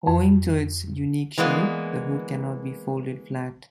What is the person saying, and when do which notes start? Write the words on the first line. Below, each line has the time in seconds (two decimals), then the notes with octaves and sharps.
Owing to its unique shape, the hood cannot be folded flat.
0.07 F2
1.38 E3 G#3 A#3 B3 D5